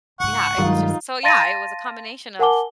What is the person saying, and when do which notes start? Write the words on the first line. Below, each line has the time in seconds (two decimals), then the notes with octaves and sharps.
yeah, it was just so yeah, it was a combination of
0.20 C#2 G#2 F#5 C#6
0.58 G2 D#3 F#3 G#3 D#4 F4
1.23 F5 A5 C6 A6 A#6 D#7
2.39 A#4 F#5 G#5 A5 D6 G7